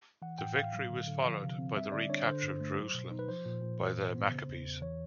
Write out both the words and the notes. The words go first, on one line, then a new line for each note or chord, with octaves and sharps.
This victory was followed by the recapture of Jerusalem by the Maccabees.
E3 F#5
A2 G5
A2 F5
F#3
D3
D3
F3
C3
C4
G3 E5
D3 D5
D4 C#5
D3 C5
G2
A3
F#3
B2
D#4
B4
F3 C5
A#2
A#2
E3
G#2
B3
C#3
E2
E2
E3 C#5